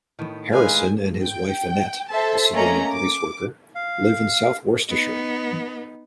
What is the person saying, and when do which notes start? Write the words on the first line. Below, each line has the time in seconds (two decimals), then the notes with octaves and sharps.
Harrison and his wife Annette, a civilian police worker, live in south Worcestershire.
0.19 A2 D#3 B3
0.52 G#3 B4 F5 G#5
1.23 G5
2.10 A4 C5 E5 A5
2.52 A3 A#3 C#4 C#5 D#5 A#5
2.93 D6
3.75 F5
4.90 B3 D#4